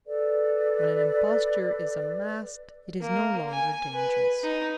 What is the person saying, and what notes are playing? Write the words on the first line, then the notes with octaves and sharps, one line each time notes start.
When an imposture is unmasked it is no longer dangerous.
A4 B4 D5
A#3
G#5
B4
D#4